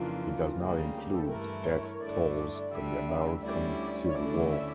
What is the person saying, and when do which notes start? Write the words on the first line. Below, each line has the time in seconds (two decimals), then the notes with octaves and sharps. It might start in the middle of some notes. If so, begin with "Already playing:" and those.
It does not include death tolls from the American Civil War.
Already playing: F2 C#3 E3 A#3 D4 F4
0.57 D2 C#3 G3 A#3
0.93 G4
1.12 A4
1.28 G2 E3 A3 E4 A#4
1.65 C#5
2.00 G2 D3 A3 E4 D5
2.71 D3 G3 D4 E5
3.42 D2 D3 G3 C#4 E4 D5
4.06 C#5
4.13 D2 D3 A3 C#4 E4 D5
4.50 E5